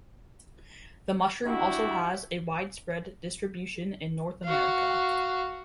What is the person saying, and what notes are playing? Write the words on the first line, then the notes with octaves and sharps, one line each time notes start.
The mushroom also has a widespread distribution in North America.
D4 E4 F#4 G4
F#4 F5